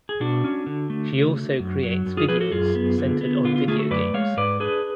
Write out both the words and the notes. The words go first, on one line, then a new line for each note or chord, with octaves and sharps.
She also creates videos centered on video games.
G#4
B2 D4 F#4
C#4
D3
A3
C#3
A3
F#2
F#3
F#2
F4 G#4
F3 G#4 B4
F#4 A4
F#2 F4 G#4
B3
D3
B3
D3 F4
F4
A3 F4 G#4
F#4 A4
F#2 B4 D5
G#3 C#5 F5
G#2 B4 D5
D4 G#4 B4